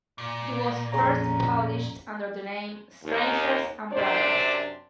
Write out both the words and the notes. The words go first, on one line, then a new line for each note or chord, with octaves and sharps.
It was first published under the name "Strangers and Brothers".
A#2
F2 C#4 G#4 C#5 A#5
D#2
F#2 C3 D4 C5 D5